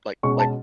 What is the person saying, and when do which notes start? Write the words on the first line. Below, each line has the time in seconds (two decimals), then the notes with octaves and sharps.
Like like,
0.23 B2 G#3 C#4 C#6
0.39 A5